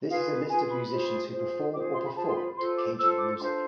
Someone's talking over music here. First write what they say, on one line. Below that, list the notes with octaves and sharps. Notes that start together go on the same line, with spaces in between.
This is a list of musicians who perform or performed Cajun music.
F4 G#4 B4 F5
F4 G#4 B4 G#5
B5
F4 G#4 C5
F4 G#4 C5
F4 G#4 C5 D6
C6
B5
F4 G#4 C5 A5
C6
B5
F4 A4 C5 C6
D6
F4 A4 C5 E6
D6
D4 F4 A4 C5 C6